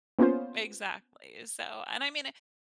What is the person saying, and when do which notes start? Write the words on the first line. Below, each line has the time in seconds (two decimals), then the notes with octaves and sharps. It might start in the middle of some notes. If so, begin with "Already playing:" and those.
exactly, so and, I mean,
0.19 A#3 B3 C#4 F4 C5